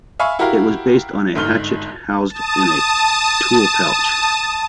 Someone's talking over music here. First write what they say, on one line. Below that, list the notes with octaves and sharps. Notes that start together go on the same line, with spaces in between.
It was based on a hatchet housed in a tool pouch.
E5 F5 G#5 B5 C#6
E4 F#4 G4 A#4 F5
G1 G#2 F6 G7
A5 D#6